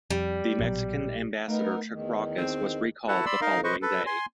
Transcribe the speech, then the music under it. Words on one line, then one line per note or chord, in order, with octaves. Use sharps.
The Mexican ambassador to Caracas was recalled the following day.
F2 G3
A#1 B2 F#3
A3 B3 D#4 A#4
E2 D#3
C4
E4 F#4 A4 B4 F#5 A5
D5 B5 C6 E6
D#4 A#4 D#5 F5
B4 C5 D#5 C#6
A4 B4
G#5 C6